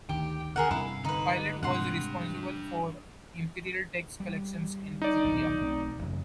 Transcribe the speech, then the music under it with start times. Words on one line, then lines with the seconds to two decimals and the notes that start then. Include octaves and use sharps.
Pilate was responsible for imperial tax collections in Judaea.
0.09 D2 D#3 G4 G5
0.56 D3 G#4 A#4 F#5
0.71 G2 C3 E4 F5
1.04 D3 D#4 B4
1.63 G#2 C3 G3 D4 F#5 C6
4.20 G3
5.02 D#4 D5
5.24 D#1 B1
5.61 B1 A3 C4
5.99 A1 F#2 C#3